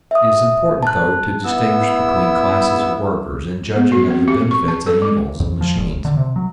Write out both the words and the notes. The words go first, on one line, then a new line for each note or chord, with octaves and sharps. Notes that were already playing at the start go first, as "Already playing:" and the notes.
It is important, though, to distinguish between classes of workers in judging of the benefits and evils of machines.
E5 D#6
A5 F#6
B3 E4 E6
B3
F#4
C4
G4
C#6
A5
A4
G#3
F2
F3
E1
D3
C3
F#3